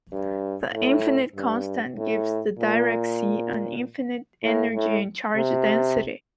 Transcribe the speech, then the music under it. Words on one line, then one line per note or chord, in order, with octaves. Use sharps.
The infinite constant gives the Dirac sea an infinite energy and charge density.
G2
A2
G2
A2
A#2
A2
A2
C3